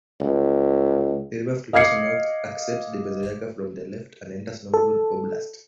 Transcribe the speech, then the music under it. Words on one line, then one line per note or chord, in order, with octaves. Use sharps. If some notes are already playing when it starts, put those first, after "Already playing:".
The river flows north, accepts the Berezayka from the left, and enters Novgorod Oblast.
C#2
D#5 F5 D6 G#6 C7 C#7
A4